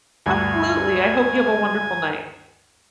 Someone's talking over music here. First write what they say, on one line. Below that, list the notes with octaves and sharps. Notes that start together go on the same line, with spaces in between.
Absolutely. I hope you have a wonderful night.
D2 G2 G#5